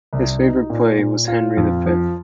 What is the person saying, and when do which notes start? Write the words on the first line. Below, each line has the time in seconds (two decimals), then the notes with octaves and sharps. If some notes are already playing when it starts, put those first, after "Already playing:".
His favourite play was "Henry the Fifth".
0.13 C2
0.41 D#4
0.70 A#2
0.99 A#2
1.28 F4
1.57 F2
1.86 F3